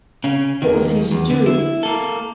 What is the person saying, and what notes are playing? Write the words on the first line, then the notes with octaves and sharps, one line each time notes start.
What was he to do?
C#3 C#4
D#2 D#3
E2
D3
E4
A#3 A4